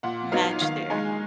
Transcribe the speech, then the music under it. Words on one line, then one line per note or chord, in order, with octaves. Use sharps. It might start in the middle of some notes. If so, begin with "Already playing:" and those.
match there.
A#2 F#5
F#3 B3 D#4 F5
D#3 F5
G#3 D#4 G#5